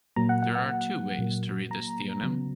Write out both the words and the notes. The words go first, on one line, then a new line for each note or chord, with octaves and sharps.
There are two ways to read this theonym.
A#2 F#3 A#3 A#5
F#5
F#5
F#5
A#2 F#3 A#3
A#5
C#3 F#3 B3